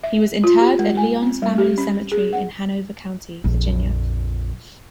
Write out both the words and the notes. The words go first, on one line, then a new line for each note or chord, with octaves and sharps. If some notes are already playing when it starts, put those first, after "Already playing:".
He was interred at Lyons Family Cemetery in Hanover County, Virginia.
E5
F4
G4
G#3
G#5
C4
G3
G4
C#4
G#4
F#5
A#1 F2